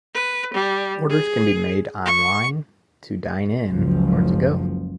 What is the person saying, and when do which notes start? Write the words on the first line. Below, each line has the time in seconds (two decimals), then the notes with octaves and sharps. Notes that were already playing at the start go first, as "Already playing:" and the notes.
Orders can be made online, to dine-in, or to-go.
0.14 B4
0.53 G3
1.09 G#4
2.06 C#6
3.69 F#1 C#2 F3